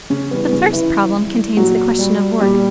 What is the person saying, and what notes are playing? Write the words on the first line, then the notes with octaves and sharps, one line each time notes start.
The first problem contains the question of work.
C#3 C#4
E3 G3 B3
B3
C#3 C#4
C#3 E3 E4
E3 G3
A#2 F#3 F#4
G3
A#2 G3 G4